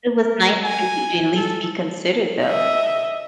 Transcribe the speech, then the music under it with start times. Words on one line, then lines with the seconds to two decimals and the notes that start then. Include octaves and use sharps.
It was nice for you to at least be considered, though.
0.20 A#4
0.63 G#5
1.36 A4
2.46 D#5 E5